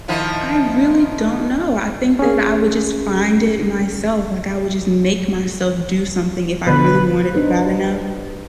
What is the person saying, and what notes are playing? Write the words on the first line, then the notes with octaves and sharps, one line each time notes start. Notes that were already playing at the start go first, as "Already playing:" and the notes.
I really don't know. I think that I would just find it myself, like, I would just make myself do something if I really wanted it bad enough,
D#3 F3 E4
C#4 G#4
B2 D3 B4
D4 D#4 B4 C5